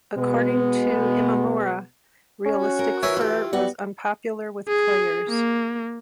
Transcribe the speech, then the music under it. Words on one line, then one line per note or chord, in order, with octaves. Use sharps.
According to Imamura, realistic fur was unpopular with players.
B2 G#3 B3
C#4
F#4
A#4
E3 E4 A#4 C#5 E5 G#5
E4 F4 G4
G3 B3 F#4
G#4
A#3